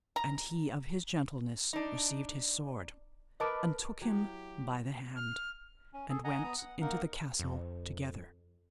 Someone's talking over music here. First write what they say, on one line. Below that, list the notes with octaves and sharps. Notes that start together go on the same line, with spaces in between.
And he of his gentleness received his sword, and took him by the hand, and went into the castle together.
A#5
D4 D#4
A#4 B4 D#5 A5 D6
F#3 E4 G4
F6
C#4
G#4 A4
D#5 F#5 G#5 A#5
B3 A#5 D#6
F#5
A#3 D#4 A#4 F#5
F2